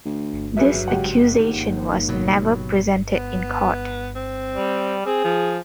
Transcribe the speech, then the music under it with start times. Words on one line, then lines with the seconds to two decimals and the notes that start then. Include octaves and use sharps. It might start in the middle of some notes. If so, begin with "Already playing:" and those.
This accusation was never presented in court.
0.05 D2
0.57 G2 F#3 G#4 B4 E5
0.88 C#2 G4 F#5
1.40 D#2
2.08 B2 F#3
3.15 B3
4.15 C4
4.54 G3
5.06 C4 G#4
5.24 F3